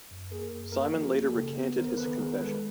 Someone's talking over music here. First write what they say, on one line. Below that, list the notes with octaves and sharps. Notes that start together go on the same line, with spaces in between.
Simon later recanted his confession.
F#2
A#3 G#4 A#4
F#2
A#3 G#4 A#4
F3
F#4 G#4
A#3
G4 A4
C#3
B3
D#3 A#4 C5
B3 A4 B4
D#3 G#4 A#4
G#3 A4 B4